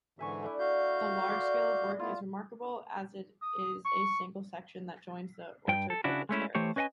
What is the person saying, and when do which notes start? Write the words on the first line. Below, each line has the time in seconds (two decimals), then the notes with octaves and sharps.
The large scale of work is remarkable, as it is a single section that joins the orchard with the terrace.
0.19 G#2 D3 E3 E5 G#5 C#6
0.42 A3 D4 E4
0.59 F#4 F5 G6
1.30 D5 C6
1.99 A3 B3 E4 F4
3.42 D#6
3.85 C#6
5.68 G2 G5
5.90 A4
6.04 C#3 D4 E4 F#4
6.29 G#3 A3 C#4 E4
6.55 E3 A3 G4 C5 C#5
6.76 C#4 B4 D#5 F#5 G#5